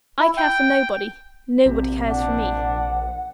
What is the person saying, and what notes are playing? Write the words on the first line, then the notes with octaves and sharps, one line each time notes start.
'I care for nobody-- Nobody cares for me.'
E4
G5
A#1 C3
D4 F#5